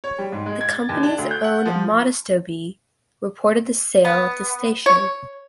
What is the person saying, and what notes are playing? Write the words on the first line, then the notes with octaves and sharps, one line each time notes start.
The company's own "Modesto Bee" reported the sale of the station.
C#5
G3
G#2
G#3
G#6
A6
D#2
D4
D2
G6
F#5
F3
B3
C#5